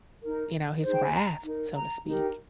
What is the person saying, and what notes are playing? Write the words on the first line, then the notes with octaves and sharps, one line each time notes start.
you know, his wrath, so to speak.
D#4 A#4
D#4 G#4 C5
G5
G#5
A#5
D#4 A#4
A#5
D#4 G4 A#4